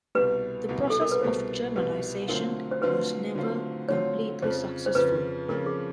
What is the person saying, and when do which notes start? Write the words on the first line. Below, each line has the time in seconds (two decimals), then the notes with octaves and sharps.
The process of Germanisation was never completely successful.
0.15 C2 B2 G3 B4
0.69 C2 B2 G3
0.90 A4
1.01 A#4
1.11 B4
1.22 C2 B2 G3 C5
1.76 C2 B2 G3 B4
2.28 D3 F#3 A3 C4 F4 A#4
2.71 C5
2.82 D3 F#3 A3 C4 F4 B4
3.35 D3 F#3 A3 C4 F4
3.89 D3 F#3 A3 C4 F4 C#5
4.42 F2 C#3 F3 C5
4.86 C5
4.95 F2 C#3 F3 B4
5.48 F2 C#3 F3 A#4
5.66 G#4